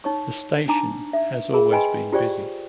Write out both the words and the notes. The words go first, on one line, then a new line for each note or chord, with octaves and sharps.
The station has always been busy.
D#4 C#5 C#6
D4 D#4 A#5 D6
E5
G#4 A#4 B5
B4 D#5 G5 G#5 B5 C6
F4 G4 C5 D5 G5 C#6